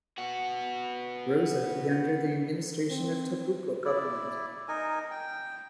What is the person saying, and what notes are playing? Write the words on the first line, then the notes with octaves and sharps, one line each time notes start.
Rosa be under the administration of Tabuko government.
B3 F#4
C4
E4 D5
D#4 A#4 G#5
G5